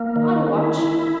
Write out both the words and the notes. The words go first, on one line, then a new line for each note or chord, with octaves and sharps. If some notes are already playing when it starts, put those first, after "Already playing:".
"On a watch."
Already playing: A#3
D#3
E4
E4